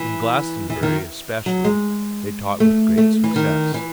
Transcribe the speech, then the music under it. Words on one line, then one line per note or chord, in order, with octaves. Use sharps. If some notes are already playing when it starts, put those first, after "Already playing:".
In Glastonbury especially, they taught with great success.
Already playing: E3
E3
D#3
F#3
G#3
A3
A3
E3
D#3
E3